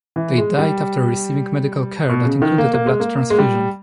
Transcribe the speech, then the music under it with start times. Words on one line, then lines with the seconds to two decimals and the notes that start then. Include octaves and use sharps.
They died after receiving medical care that included a blood transfusion.
0.16 E3
0.38 G#3
0.58 G3
2.09 B2
2.25 C#3
2.42 D#3
2.58 A#3
2.73 A#3
2.87 G#3
3.00 A#3
3.30 G#3
3.38 G3